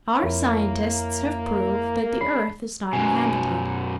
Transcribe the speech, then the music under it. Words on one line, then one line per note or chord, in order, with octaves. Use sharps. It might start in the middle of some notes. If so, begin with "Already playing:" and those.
"Our scientists have proved that the Earth is not inhabited."
F2 A#3 E4 C#5
G#3 D4 C#5 B5 C7
F#2 B2 G#5